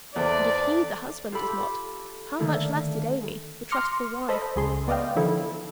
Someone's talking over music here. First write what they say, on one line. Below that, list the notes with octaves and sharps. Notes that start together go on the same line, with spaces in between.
And if he, the husband, did not, how much less did Aimee, the trustful wife?
E2 E3 A4 C5 D5
F4 G4 A4 B5 D6
D3 D#3 A3 A#3 D#4
C6 D6 F6 A#6 C#7
A4 C5 D#5 B5
C#2 G#4 C6
B3 D5 D#5 F5 G5
D3 D#3 F3 E4 A4